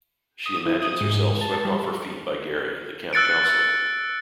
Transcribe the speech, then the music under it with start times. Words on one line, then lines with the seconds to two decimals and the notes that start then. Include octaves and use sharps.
She imagines herself swept off her feet by Gary, the camp counselor.
0.46 D#6
0.66 E4
0.80 D#6
1.01 G#2
1.41 A5
1.65 G3
3.13 E6 F#6 A6 C#7 D7